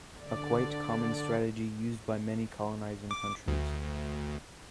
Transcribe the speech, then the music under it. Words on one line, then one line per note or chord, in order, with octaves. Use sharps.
A quite common strategy used by many colonizing countries.
D3 D5
D6
D2